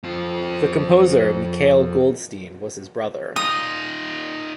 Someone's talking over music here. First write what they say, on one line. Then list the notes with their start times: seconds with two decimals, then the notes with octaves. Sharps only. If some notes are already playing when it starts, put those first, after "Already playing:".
The composer Mikhail Goldstein was his brother.
0.04 F2 F4
3.36 D#4 F4 D#6